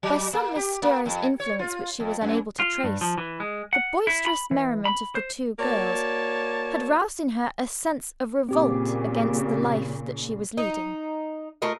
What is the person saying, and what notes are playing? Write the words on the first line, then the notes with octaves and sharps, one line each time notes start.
By some mysterious influence which she was unable to trace, the boisterous merriment of the two girls had roused in her a sense of revolt against the life that she was leading.
F#3
A#3
G4
A#3
F2
C#5
F4
F2
F#2
F4
G2
F3
E3
G#3
F#5
E4
B5
E3
B5
C5
A#3 F#4 C#5 D5 A5
A#2 C#3 C4 G4 D6
D#4
A3 F4 A#4 D#5